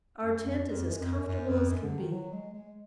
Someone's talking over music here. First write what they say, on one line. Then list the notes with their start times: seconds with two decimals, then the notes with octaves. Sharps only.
Our tent is as comfortable as can be.
0.23 F#2
0.45 F2
0.67 F2
0.87 F#2
1.01 F2
1.14 F#2
1.27 F#2
1.49 F2
1.70 F#2
1.84 D3
1.98 D#3
2.11 F#3
2.33 G#3
2.54 G#3